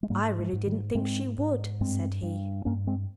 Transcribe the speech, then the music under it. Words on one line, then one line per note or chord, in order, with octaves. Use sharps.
"I really didn't think she would," said he.
G#3
G#2 G3 A#3
F3 G#3
G#2
D#3 G3
G#2 G#3 C4
G#2
G2 G#3 C4
G2
G2 A#3 C#4
G#3 C4